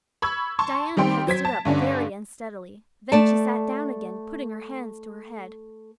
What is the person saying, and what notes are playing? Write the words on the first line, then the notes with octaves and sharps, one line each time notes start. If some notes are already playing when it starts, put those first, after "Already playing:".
Diana had stood up very unsteadily; then she sat down again, putting her hands to her head.
B5 C#6 E6 G#6
A5 C6 C#6
D#3 G3 C4 G5 C6 D7
F#3 C5 G#6 B6
A5
G2 D3 C#4 D4
A3 D5 A5